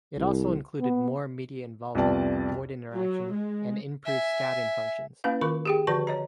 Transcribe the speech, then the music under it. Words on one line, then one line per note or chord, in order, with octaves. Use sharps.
It also included more media involvement, board interaction and improved scouting functions.
C2
B3
C2 F2 B3 D5 A5
F#3
G#3
E5 G#5
A#3 C#4 E4 B4 F5
D#3 F4 A#4 C#6
G4 G#4 G5
D3 F3 F#4 B4 D5 C#6
C#5 D#5 A#5